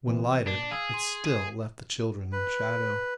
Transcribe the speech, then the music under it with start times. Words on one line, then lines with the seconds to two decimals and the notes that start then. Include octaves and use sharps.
When lighted it still left the children in shadow.
0.07 C3 E3 B3
0.47 A#2 D4
0.71 G#4 F5 E6
0.94 C6
1.25 G#4
2.32 B4